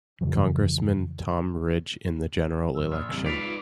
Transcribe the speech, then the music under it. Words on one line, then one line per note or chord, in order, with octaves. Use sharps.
Congressman Tom Ridge in the general election.
F2 C#3 E3 F#3
F2 A2 F#3 E6
A#1 D#6 F6
F#1 B1 F2 E3 G3
G#3 D#4 F4 B4 D5 B6 C7 F7
D7